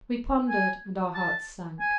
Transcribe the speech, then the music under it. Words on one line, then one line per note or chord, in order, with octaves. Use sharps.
We pondered, and our hearts sank.
G#5
A5
G#5